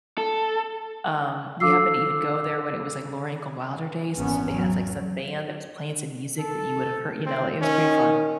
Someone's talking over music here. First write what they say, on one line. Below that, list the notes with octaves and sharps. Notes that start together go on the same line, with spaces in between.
Um, we happen to even go there when it was, like, Laura Ingalls Wilder days, and so they had, like, some band that was playing some music that you would have heard you know, it was pretty fun.
A4
D4 A4 F5 D6 E6 C7
G#1 E2 B3 C#4
F#3
A4
C4
D#3 C#4